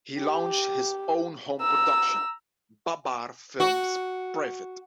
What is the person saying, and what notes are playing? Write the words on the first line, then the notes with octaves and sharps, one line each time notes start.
He launched his own home production; Babbar Films Pvt.
G4
A#5 E6
F#4